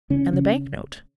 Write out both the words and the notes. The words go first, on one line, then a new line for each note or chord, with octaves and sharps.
"And the bank-note?"
C#3 C#4
C#3 C#4